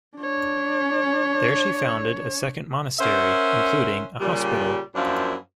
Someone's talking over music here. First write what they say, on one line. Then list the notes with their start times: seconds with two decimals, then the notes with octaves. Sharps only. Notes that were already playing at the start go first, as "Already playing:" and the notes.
There she founded a second monastery, including a hospital.
0.17 D4 C#5
2.99 C#4 A#4 C5 E5 F#5
4.20 A#2 C#3 G3
4.94 F#2 F3 A#3 D4 E4